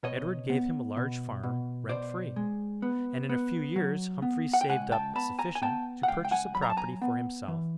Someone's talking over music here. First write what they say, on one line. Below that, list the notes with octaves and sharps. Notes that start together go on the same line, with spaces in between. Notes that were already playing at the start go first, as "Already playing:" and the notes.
Edward gave him a large farm, rent free; and in a few years Humphrey saved up sufficient to purchase a property for himself.
B2 C#5 D#5
B3
B2
B2
B2 C5 D5
G#3
B3
B3
F#3
B3
F#5
G5
C#2 F#5 G#5
G5 A5
B3 A5 B5
G#5 A#5
G#5
B3 G5 A5
F#5
C#2 F5 G5
G5
F#5 G#5
F#3 B5
A#5
A5
G#5 A#5
B3
E3